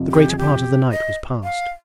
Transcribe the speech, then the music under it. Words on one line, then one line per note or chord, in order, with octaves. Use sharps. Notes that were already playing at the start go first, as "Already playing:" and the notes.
The greater part of the night was past.
Already playing: F2 C3 F3
G4
G#4
G4
D#5
F5